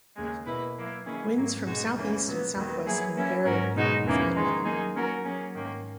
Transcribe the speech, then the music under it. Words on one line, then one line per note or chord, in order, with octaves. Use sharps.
Winds from southeast and southwest invariably bring fine weather.
D#2 C#3 G#3
B2 A#3 E4 B4
F#3 A#3 E4
D#3 A#3 C#4 E4 G#4
G#2 F#3 A#3
B2 G#3 D#4 F#4
D#2 C#3 E3 A#3 C#4
A#2 F#3 B3
D#2 D#3 F#3 B3
F#3 A#3 E4 G#4 B4
F#3 A#3 C#4 E4
G#2 F#3 C#4 F#4 A#4
B2 G#3 D#4 F#4
E2 C#3 E3 A#3 D#4
D#3 G#3 D#4
F#3 A#3 D#4 G#4
F#3 A#3 C#4 F#4 A#4
F#3 A#3 C#4 G#4
G#2 D#3 A#3 C#4